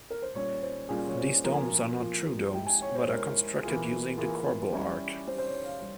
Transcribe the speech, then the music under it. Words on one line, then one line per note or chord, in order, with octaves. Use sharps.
These domes are not true domes, but are constructed using the corbel arch.
A#4
C5
A#2 G3 C#4 F4 C#5
C5
A#2 G3 C#4 F4 G#4
C#5
C5
F3 A#3 F4 A#5
G#5
A#5
F3 A#3 F4
G#3 E4 G4 G5
G#5
C#5
C5
G#3 E4 G4 A#4
E3 A#3 F4 G#4
E3 A#3 F4 G#4
G3 C#4 E4 G4
G3 C#4 E4 G4 C5
C5
C#5
F5
G3